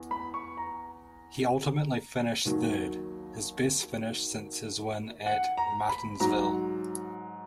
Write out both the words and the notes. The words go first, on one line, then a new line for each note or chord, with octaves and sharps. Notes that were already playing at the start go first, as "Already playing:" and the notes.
He ultimately finished third; his best finish since his win at Martinsville.
Already playing: E2
B5
C#6
A#5
D#2 D#3 F#3
F#5
A#5
B5
G#2 F#3 A#5